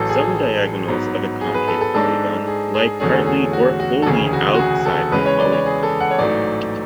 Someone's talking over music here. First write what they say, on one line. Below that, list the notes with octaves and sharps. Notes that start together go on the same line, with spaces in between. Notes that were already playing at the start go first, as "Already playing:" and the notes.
Some diagonals of a concave polygon lie partly or wholly outside the polygon.
Already playing: A1 A2 F#3 A4
G#4
G#2 F#3 B3
G#4
B4
A4
A4
G#2 G#3 D4 A4
G#4
G#4
E2 D3 F#3 A3 C#4 G#4
G#4
F#4
F#4
A4
E1 D2 C#3 G#4
F#4
F#4
G#4
A4
E2 C#3 G#3 C#4 B4
C#5
D5
C#5
G#4
A4
F#5
C#5
A1 G#2 F#3 A3 D5